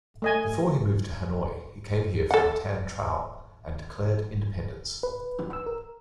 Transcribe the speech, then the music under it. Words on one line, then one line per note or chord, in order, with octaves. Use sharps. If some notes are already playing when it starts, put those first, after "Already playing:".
Before he moved to Hanoi, he came here from Tan Trao and declared independence.
A3 D#5 G#5
A4 F#5
B4
E6
A#4